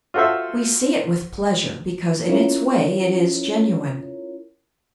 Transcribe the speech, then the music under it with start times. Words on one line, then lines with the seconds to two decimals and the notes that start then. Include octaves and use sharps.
We see it with pleasure, because, in its way, it is genuine.
0.14 F4 F#4 A4 C5 E5
2.28 C#4 E4 F4 A#4 C#5